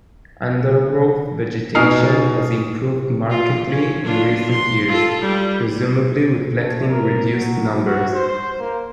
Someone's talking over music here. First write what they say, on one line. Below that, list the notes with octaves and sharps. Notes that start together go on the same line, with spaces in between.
Undergrowth vegetation has improved markedly in recent years, presumably reflecting reduced numbers.
B2 D#4 G#5 D#6 F6 C7
F4
C#4
D4 F4
C6
F4 A4
G3
A3
A#4
F#3
F#4
C5
A#3